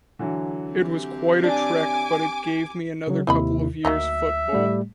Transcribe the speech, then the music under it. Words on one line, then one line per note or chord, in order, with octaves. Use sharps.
It was quite a trek but it gave me another couple of years football.
D3 E3 F#3
C4 G4
D4 G#5 D6
C#3 F#3
D#2 C3 C4 E4 D#5 B5
D2 F#3 A#3 D#4 E5
A2 G3 A3